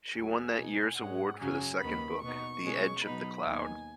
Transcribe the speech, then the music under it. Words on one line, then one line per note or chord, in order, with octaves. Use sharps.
She won that year's award for the second book, "The Edge of the Cloud".
D#2 C#3 F#3 G#5
B2 B3 D#4
G#2 G#3 C#4 F#5
F#2 C#3 F#3 C#4 G#5
D#2 D#3 B3 B5
B2 B3 D#4 C#6
B2 G#3 C#4
B2 F#3 B3 D#4 B5
D#2 D#3 B3 D#4 G#5